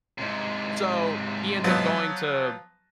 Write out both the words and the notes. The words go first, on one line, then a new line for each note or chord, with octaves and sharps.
So, he ends up going to
G#2 C3
F3 F#3 B3